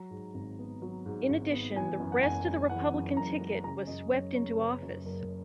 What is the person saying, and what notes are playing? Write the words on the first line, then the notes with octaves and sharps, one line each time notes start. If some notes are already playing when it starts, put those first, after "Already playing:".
In addition, the rest of the Republican ticket was swept into office.
Already playing: F#3 A#5
G#2
G#1
B3
F#3
G#2
G#1
B3
E3 G#5
F#2
F#5
F#1 G#5
G#3
E3 F#5
F#2
F#1 A#5
G#3
C#3 A#5
F#2 D#5
F#1 C#5
F#1 C#5
C#3 B4
F#2
F#1 A#4